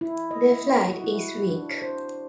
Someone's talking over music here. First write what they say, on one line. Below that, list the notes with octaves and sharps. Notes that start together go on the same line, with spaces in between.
Their flight is weak.
E4
D#5
F#4
E4
D4
C5